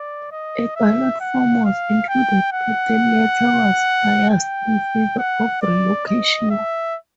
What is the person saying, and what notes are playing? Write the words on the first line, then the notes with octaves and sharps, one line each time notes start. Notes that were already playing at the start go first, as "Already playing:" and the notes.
A ballot form was included but the letter was biased in favour of relocation.
Already playing: D5
D#5
E5
F#5
F5
G5
F#5
G5
F#5
D5
D#5
E5